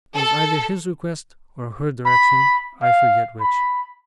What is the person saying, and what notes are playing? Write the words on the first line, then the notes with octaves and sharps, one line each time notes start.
'It was either his request or her direction, I forget which.'
A4
B5
F5
B5